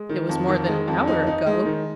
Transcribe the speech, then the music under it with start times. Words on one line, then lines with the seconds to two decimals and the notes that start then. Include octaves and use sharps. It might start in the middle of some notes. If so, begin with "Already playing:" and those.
It was more than an hour ago.
Already playing: G#3
0.09 D#3
0.29 F2
0.48 D#3
0.68 G#3
0.88 F2
1.07 D#4
1.27 D#4
1.46 G#3
1.66 D#3